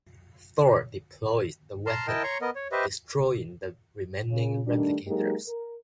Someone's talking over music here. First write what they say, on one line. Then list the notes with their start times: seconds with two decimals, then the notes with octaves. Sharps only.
Thor deploys the weapon, destroying the remaining replicators.
1.86 A5 A#5 C6 F6
2.08 E4 A#4 D#5 G5 A5
2.23 C#5 A#5 C6 C#6
2.41 B3 A#4 D#5
2.55 C#5
2.72 G4 B4 C5 D#5 E5
4.30 C#3
4.67 D#3 G3 A3 D4
5.07 F#3 G#3 A#3 D#4 G4 A#4
5.47 A#4